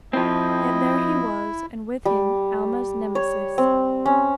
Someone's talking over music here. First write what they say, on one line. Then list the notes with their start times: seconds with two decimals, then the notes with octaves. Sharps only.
Yet there he was--and with him Alma's Nemesis.
0.13 F3 C4 E4 D#5
2.05 G3
3.15 C#5
3.58 C4
4.06 C#4